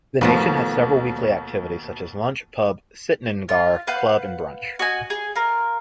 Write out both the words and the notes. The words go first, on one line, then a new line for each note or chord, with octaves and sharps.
The nation has several weekly activities such as lunch, pub, sittningar, club and brunch.
D#2 B2 F3 A3 B3
F4
B4 F5 F#5 G6
F#4 D#5 G#5
G#4
F4 A#4